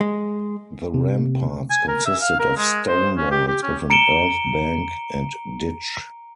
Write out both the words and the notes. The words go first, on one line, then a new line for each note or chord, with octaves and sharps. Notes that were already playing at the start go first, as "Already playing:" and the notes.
The ramparts consisted of stone walls with an earth bank and ditch.
G#3
C3
G#5
A#4
E5
F5
A#4
G#3
C5
C#4
G4
G4
C#4
A#5 C#7 D7 E7 G7